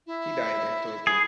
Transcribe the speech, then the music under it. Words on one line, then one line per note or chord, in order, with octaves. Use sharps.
He died in Turku.
E4
G#4